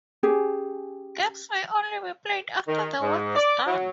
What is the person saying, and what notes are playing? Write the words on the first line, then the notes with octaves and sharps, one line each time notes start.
Games may only be played after the work is done.
C#4 G4 G#4
D#3
G#2
D5
F#3